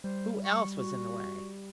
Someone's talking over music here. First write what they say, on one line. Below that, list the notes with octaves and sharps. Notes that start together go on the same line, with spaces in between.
Who else was in the way?
G3 C5
C#6
F#4